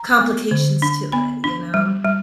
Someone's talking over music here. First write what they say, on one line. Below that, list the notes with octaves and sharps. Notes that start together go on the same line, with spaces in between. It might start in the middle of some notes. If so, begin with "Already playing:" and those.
complications to it, you know?
Already playing: A#5
B3
D3
D4
B3 B5
D4
G3
G3